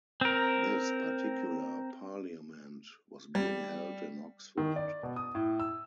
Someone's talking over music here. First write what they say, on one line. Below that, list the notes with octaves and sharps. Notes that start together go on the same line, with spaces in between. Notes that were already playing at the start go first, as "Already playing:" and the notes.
This particular parliament was being held in Oxford.
C4 A#4
G3
D#3
D5
B2
D#6
A2
E6